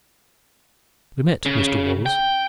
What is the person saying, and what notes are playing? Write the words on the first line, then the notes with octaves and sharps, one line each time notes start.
We met Mr. Woolls.
C#3
G5